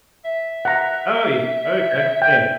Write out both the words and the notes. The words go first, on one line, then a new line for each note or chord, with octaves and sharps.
Oh, ye Okay, yeah.
E5
F#5 A#5
E5 G5